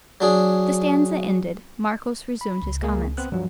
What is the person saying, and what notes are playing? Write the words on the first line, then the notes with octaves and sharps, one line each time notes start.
The stanza ended, Marcos resumed his comments.
F#3 D4 G#4
B5
C#2
G#3 A#3 G#4
B3 C4 F#6
G2 F3 F#3